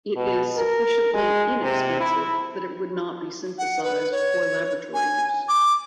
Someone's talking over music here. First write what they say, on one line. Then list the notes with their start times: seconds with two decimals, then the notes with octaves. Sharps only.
It is sufficiently inexpensive that it would not be synthesized for laboratory use.
0.16 B2
0.58 A#4
1.14 G#3
1.63 C3
2.00 E4
3.58 F#5
3.84 B4
4.12 C#5
4.94 G#5
5.49 D6